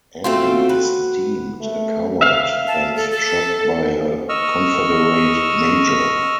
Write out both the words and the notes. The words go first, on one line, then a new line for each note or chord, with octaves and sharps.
Andy is deemed a coward and shot by a Confederate major.
A3 C4 F4 F#4
B4
A3
E5 F5
A5
A4
A4
D#5 C#6 E6 F6